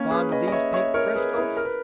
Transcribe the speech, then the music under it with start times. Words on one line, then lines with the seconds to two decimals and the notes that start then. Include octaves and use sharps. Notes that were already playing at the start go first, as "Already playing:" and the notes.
"Fond of these pink crystals?"
Already playing: A#3 C#4
0.10 G#4 B4
0.31 B4 D#5
0.48 D#5
0.52 C#5 E5
0.73 C#5 E5
0.94 A#4 C#5
1.15 G#4 B4
1.36 E4 G#4
1.57 A#4
1.65 B4